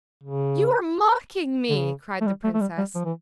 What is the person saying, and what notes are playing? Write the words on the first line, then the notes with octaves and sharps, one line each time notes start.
"You are mocking me!" cried the princess.
C#3
D3
C#3
A3
G3
A3
A3
G3
G3
F3
E3